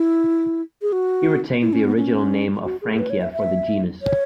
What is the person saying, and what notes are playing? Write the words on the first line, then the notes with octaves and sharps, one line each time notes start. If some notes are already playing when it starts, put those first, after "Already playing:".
He retained the original name of "Frankia" for the genus.
Already playing: E4
G#4
F#4
E4
C#4
B3
C#4
F#4
G#4
G#4
B4
C#5
E5
E5
C#5